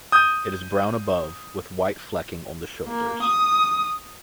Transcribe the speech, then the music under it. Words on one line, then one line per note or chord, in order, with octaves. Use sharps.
It is brown above, with white flecking on the shoulders.
D#6 G6
A#3
D#6